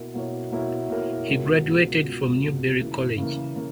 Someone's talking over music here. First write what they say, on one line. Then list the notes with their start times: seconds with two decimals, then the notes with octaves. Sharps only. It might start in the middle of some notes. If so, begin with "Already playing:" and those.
He graduated from Newberry College.
Already playing: B2 A#3 E4 A#4
0.14 B2 A#3 E4 A#4 C#5
0.52 B2 A#3 E4 A#4 C#5
0.89 B2 A#3 E4 A#4 C#5
1.27 C#2 B2 G#3
1.65 C#2 B2 G#3
2.03 C#2 B2 G#3
2.42 C#2 B2 G#3
2.80 C#3 E3 A#3
3.18 C#3 E3 A#3
3.56 C#3 A#3